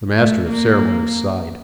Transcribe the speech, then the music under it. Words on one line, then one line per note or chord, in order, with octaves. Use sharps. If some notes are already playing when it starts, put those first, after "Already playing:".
The Master of Ceremonies sighed.
A3
A#3